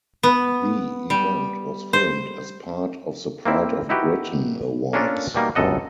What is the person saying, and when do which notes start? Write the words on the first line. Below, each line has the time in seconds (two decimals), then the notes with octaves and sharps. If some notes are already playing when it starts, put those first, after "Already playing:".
The event was filmed as part of The Pride of Britain Awards.
0.23 B3
1.10 G3
1.93 C5
3.46 A#3 C4 E4
3.89 D#4 E4 F#4 G4 B4
4.93 A#3 C#4 D4 F4 A4 A#4
5.35 B2 G3 A#3 D#4
5.55 G1 C#2 F#2 A4 D#5 F#5